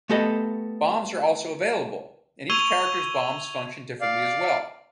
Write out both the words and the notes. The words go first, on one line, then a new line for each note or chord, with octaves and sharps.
Bombs are also available, and each character's bombs function differently as well.
A3 B3 G4 A4 D#5
C#6 E6 G#6 D#7 F7 G7
D5 F5